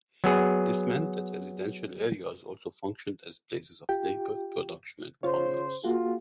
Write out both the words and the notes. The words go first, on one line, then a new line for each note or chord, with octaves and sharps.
This meant that residential areas also functioned as places of labour, production and commerce.
F#3 B3 G#4
F4 G4 G5
C#3 F4 C5 C#5
A#3 F4 F#4 G#4